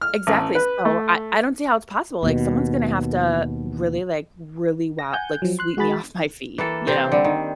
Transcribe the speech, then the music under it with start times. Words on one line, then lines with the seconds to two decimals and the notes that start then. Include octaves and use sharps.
Exactly, so I I don't see how it's possible, like someone's gonna have to really like, really wo like sweep me off my feet, you know?
0.01 F6
0.27 A1
0.55 B4
0.85 A3
2.23 D#2 B2
4.99 A#6
5.13 F#5 G#5 G6
5.42 F3 F#3
5.59 C6 F#6
5.77 G#3 F#4 G#4 B5 A6
6.58 E3 A#3 A4
6.87 C3 C4 G4
7.12 D3 G3
7.24 D#3